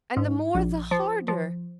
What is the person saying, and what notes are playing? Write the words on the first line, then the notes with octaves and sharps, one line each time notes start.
And the more the harder!
G#2
A#1
F3
F3